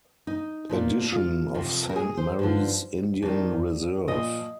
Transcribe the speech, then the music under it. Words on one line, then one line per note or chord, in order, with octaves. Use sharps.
Addition of Saint Mary's Indian Reserve.
D#4
A#2 F3
F4
F2 C3 F3
A#4
G#4
C5
G2 D3 F3
F2 D#3 D5
A#2 F3 D#5